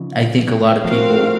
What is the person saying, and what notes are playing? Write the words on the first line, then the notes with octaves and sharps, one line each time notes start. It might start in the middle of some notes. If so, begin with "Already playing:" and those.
I think a lot of people
Already playing: C#3 F3
F3 A3 C4 F#4 A#4 F5